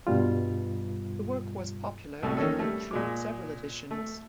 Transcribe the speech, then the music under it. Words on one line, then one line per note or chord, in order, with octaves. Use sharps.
The work was popular and went through several editions.
G2 B2 G3 F4
C2 A2 A3 F#4
D#3 A#3 C#4 A4
G3 A3
A#2 G#3 D6
A3